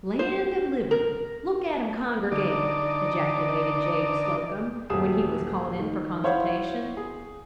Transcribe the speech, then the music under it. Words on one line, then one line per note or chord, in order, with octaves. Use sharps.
"Land of liberty! look at 'em congregate!" ejaculated Jabe Slocum, when he was called in for consultation.
C5
A#4
D3 D#4 D5
D#1 F#2 G4 G#4 D#6 E7
D#3
E4 C5 C#5 F5 F#5
G#4